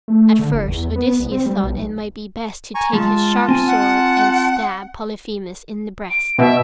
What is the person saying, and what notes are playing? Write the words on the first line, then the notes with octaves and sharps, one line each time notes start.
At first Odysseus thought it might be best to take his sharp sword and stab Polyphemus in the breast.
A3
D3
G1
E2
B3
C2
C4
G3
B1
G#5 A#5 C#6
G#3 F4 A5
C4 G#5
F#5
D7
B2 E5